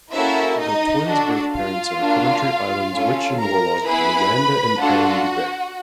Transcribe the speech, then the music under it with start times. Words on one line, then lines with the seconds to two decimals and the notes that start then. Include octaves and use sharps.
The twins' birth parents are Coventry Island's witch and warlock, Miranda and Aron DuBaer.
0.12 A#3 C#4 E4 F#4 A4 E5
0.59 D#4 D#5
1.07 D4 F#4 A4
1.53 F4 F5
2.00 A#3 D4 F#4
2.94 C#4 F4 A4
3.41 A#4 A#5
3.87 B3 E4 G#4 B4 B5
4.81 D4 F4 F#4 A4 F#5